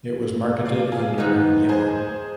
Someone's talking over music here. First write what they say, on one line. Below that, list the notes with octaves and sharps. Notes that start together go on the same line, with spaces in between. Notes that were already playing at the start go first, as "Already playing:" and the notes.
It was marketed under Yema.
D5 F5
F4 G#4
G#2 D#3 B3 D#4
G#4 C5